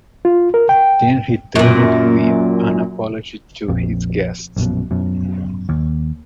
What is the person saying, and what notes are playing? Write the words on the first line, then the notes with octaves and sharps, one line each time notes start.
Then he turned with an apology to his guests.
F4
A#4
G5
F#2 A#2
A#1 F2
A#1 F#2 B2
F#2 B2
D#2